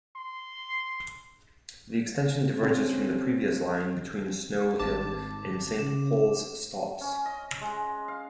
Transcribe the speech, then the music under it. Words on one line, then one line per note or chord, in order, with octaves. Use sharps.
The extension diverges from the previous line between Snow Hill and Saint Paul's stops.
C6
D3 C4 C#4 A4
G#1 A5 D6
C#3 E7
C#4
D#5
G#3
F5